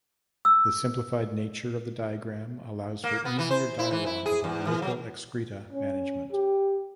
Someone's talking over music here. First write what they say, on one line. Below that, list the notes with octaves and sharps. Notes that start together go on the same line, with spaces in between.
The simplified nature of the diagram allows for easier dialog about local excreta management.
E6
A#3
B3
E3
C5
E4
E3
E4
G#4
E2
E3
F#3
C#4
G4